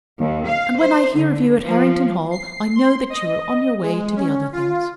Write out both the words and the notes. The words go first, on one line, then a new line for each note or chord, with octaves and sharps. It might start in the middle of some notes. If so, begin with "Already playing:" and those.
And when I hear of you at Harrington Hall I know that you are on your way to the other things.
D#2
F5
C5
D3
F3
C7
C6
D#5
G#3
C#4
F4